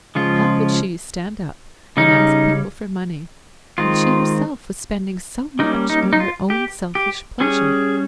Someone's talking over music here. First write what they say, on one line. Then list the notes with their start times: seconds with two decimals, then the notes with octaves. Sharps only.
How could she stand up and ask people for money when she herself was spending so much on her own selfish pleasure?
0.15 C#3 F3 G#3 C#4 F4
1.97 C#3 G3 C#4 D#4
3.78 D#3 G#3 C4 F4
5.59 G3 A#3 C#4 D#4
5.90 D#4
6.13 D#4
6.20 F4
6.50 G4
6.95 G4
7.40 G3 C#4 G#4